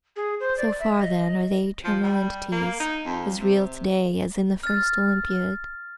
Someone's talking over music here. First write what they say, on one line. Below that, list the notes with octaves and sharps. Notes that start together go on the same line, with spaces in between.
So far then are they eternal entities, as real to-day as in the first Olympiad.
G#4
C5
D5
E5
D#5
F3
G3
A#3
D#4
F2
C3
F6 A6